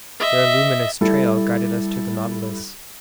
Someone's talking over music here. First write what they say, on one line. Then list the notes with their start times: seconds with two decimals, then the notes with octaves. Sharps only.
Their luminous trail guided us to the Nautilus.
0.20 D#5 E5
1.01 G3 E4 A4